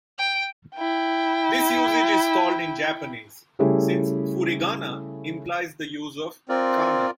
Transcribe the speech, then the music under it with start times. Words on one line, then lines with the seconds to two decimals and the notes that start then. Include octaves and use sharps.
This usage is called in Japanese, since "furigana implies the use of kana".
0.19 G5
0.76 E4 G5
3.59 C#3 G3 A3 E4 G4 G#4
6.49 C4 F4 A#4 D5